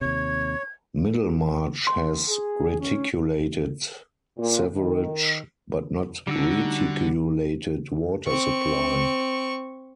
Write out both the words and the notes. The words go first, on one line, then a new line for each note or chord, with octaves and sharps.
Middlemarch has reticulated sewerage but no reticulated water supply.
D#2 C3 C#5 G#6
C6
G#4
C#4
A#2
D#3
D3 G3 D#4 F#4 E6
C4 C#6